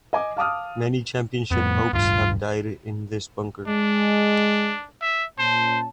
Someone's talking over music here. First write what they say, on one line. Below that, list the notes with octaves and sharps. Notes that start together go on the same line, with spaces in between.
Many championship hopes have died in this bunker.
D#5 G#5 D6
F5 A5 D6 D#6 F6
F2 A2 B3
D1 G2 F4
G#3 D4
E5
A#2 C#4 C5 A5